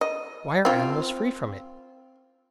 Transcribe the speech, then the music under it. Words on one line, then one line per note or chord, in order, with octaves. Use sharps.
Why are animals free from it?
D#5
C4 F4